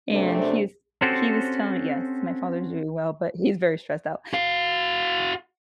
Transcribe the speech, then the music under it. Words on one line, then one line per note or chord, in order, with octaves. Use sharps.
and he is he was telling Yes, my father is doing well, but he's very stressed out.
F#2 C3 A3 C4 D4
C4 C#4 F#4 G4 A4 C5
F#4 F5